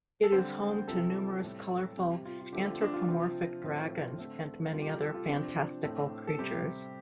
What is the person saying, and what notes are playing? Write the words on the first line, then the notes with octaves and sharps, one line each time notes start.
It is home to numerous colorful, anthropomorphic dragons and many other fantastical creatures.
A4
D3 G3 C4 C5
C3 F3 C4 A4
A2 G3 C4
C3 G3 C4 G4
G4
F4
F4
D3 F3 A3 C4 G4
F4
D4
F4
C3 F3 C4
A2 F3 C4
D3 A3 C4
C3 G3 C4 F4
G4
A4
A4
F4
C3 F3 C4 D4
A2 A3 C4
A4
C3 G3 C4 G4